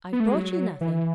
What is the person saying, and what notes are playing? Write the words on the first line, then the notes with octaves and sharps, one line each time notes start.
'I've brought you nothing.
B3
A3
G#3
F#3
E3